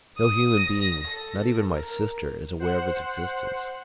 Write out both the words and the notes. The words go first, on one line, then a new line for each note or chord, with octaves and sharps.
No human being, not even my sister, is aware of its existence.
D#6
A#6
A4
A#4
C5 F#5 F#6